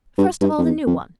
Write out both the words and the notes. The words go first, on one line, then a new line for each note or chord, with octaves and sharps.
"First of all, the new one."
G2
G2
F2
E2
F2